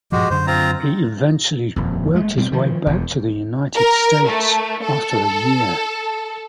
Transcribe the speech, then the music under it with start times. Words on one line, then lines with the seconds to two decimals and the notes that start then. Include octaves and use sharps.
He eventually worked his way back to the United States after a year.
0.12 G2 A#2 F3 G#3 F#4 G4
0.30 F#2 D3 F#3 C5
0.47 C4 F4 A#5
1.76 D#1 F2
2.15 G#3 A3
2.37 B2 G3 C4
2.52 D#3 F3
2.86 E1 E2
3.75 A#4
4.27 A3
4.83 A4